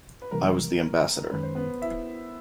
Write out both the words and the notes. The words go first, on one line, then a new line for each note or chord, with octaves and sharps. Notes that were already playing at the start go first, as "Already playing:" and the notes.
I was the ambassador.
B4
C3 E3 G3 A#3 A#4
F#2 D#3 G#3 C#4 B4
C5
B3 B4
E4 E5